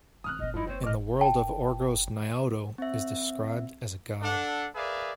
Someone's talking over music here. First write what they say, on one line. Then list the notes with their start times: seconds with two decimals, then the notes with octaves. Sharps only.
In the world of Orgos Naoto is described as a "God".
0.24 D#3 C4 D#6 F6 F#6
0.39 A#1 B3 D#5
0.54 G2 F3 D#4 E4
0.67 A#3 C4 C5 C#5
0.84 A#2 D#5 D6 F6
1.21 G5 A5
2.78 C4 E5
4.22 D4 A4 F#5
4.76 G#4 A#4 B4 D5 E5 F5